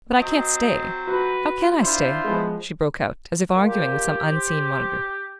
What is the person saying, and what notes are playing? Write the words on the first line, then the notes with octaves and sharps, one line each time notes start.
"But I can't stay.--How CAN I stay?" she broke out, as if arguing with some unseen monitor.
F#3 C4 D#5
F#4 B4
D4 E4 F4 C5
F3 G#3 B3
A#2
G4
C5